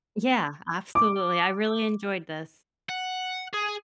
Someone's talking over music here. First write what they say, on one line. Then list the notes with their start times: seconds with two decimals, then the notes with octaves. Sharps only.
Yeah. Absolutely. I really enjoyed this.
0.95 D6
2.89 F#5
3.54 G#4